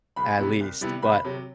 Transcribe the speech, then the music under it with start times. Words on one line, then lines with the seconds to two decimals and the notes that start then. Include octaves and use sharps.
At least, but,
0.16 C2 B5
0.39 C3 G3 B3 E4
0.60 C2
0.81 C3 G3 B3 E4
1.02 C2 B5
1.25 C3 F#3